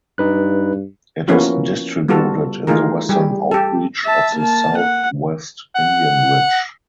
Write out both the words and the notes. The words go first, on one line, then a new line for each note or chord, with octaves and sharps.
It is distributed in the western outreach of the Southwest Indian Ridge.
G2 D#4 B4 F#6
F3 A#3 B3 C#4 E4 F#4
G3 B3 F4 F#4 A4
E3 A3 D#4 F4 G#4 A#4
G3 G4 G#4
G4 A4
E5 A5
A#3 A5
F#5
F#5